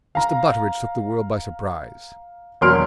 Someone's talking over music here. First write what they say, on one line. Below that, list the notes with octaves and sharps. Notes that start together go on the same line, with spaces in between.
Mr. Butteridge took the world by surprise.
F5 A#5
E1 F#3 A#3 C6 F6 D7